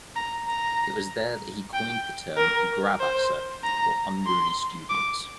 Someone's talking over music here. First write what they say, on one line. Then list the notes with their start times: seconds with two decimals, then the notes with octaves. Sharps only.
It was there that he coined the term "grabasser" for unruly students.
0.16 A#5
0.47 A#5
1.74 G5
2.37 A#4
3.00 C5
3.63 A#5
4.26 C6
4.89 D6